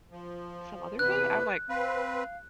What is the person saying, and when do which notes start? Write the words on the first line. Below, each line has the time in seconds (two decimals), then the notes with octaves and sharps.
some other day?" I'm like
0.12 F3
0.99 E2 C3 B4 F#6
1.69 C4 B4 F5